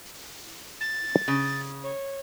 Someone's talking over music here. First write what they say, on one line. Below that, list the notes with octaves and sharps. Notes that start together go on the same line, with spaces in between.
She’s laughing at me because i have soap on my face.
A6
C#3
C#5